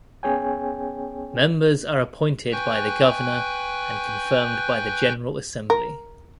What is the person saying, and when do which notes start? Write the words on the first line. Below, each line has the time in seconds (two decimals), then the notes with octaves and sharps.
Members are appointed by the Governor and confirmed by the General Assembly.
0.23 B3 C#4 G#4 C#5 G5 G#5
2.52 B4 G5 G#5 C#6 F#6 G6
5.70 A#4